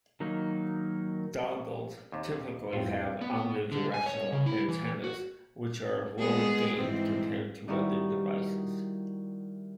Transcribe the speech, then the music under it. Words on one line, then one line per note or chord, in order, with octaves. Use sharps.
Dongles typically have omnidirectional antennas which are of lower gain compared to other devices.
D#3 F#3 A#3 D#4
D#2 C3
F2 A2 C4 F4
B3
D3
G#5
C#5
C#3
E4
E3
F#4
G#3 B3 G#4
G#2 E3 C4
D#3 G3 D#4 E4 F#4